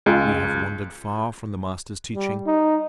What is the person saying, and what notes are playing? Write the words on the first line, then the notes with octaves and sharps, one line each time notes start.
We have wandered far from the Master's teaching.
C#2 G#3 F4
G3
D#4